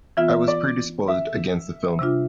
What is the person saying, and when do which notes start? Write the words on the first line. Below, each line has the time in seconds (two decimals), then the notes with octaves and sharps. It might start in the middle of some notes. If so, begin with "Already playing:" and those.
I was predisposed against the film.
0.17 E3 B3 F4 E5
0.48 D5
1.08 E5
1.99 C3 G3 D4 F4